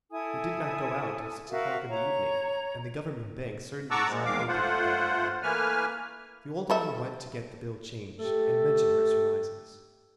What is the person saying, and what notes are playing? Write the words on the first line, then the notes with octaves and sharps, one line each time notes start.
"He did not go out until six o'clock in the evening, and the government bank certainly is not open at that hour." The old woman went to get the bill changed, and mentioned her surmises.
E4 A4 G#5 D#6
F#4 A#4 E5 F5
C#5 A#5
F#5 A5 A#5 C#6 D6 E6
A#2 F3 G#3
E2 D#3 G#3 F5 D6
A3 F4 C5 F#5
E3 A3 A#3 B4 G#5 F6
G3 A4 E5
A3 G4 A4